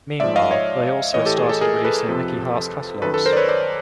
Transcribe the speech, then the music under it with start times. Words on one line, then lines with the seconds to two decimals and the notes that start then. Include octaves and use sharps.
Meanwhile, they also started releasing Mickey Hart's catalogs.
0.20 G#2 F3 D5 E5
0.36 D#5 F5
0.51 C#5 D#5
1.14 A2 E3 C#5 D#5
1.26 G4 A4
1.38 G#4
1.49 G4 A4
1.61 G#4 A#4
1.84 A4 B4
2.08 F2 C3 F3
3.02 F#2 D#3 A4 B4
3.14 A4 B4
3.26 A#4 C5
3.33 D5
3.37 B4 C#5
3.49 C5 D5